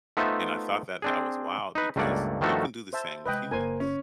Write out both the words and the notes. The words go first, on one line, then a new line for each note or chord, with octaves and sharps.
and I thought that that was wild, because you can do the same with humans,
A3 B3 D#4 F4 C5 E5
C4 D4 G#4
D#4 B4
C#2 G2 A3 A#3 D5 F#5
G2 D#3 F3 A3 F#4 A4
C5 E5 A5
C3 G#3 B4 D#5 G5
F#1 A#3 D#4 C5 G#5 C6
C#4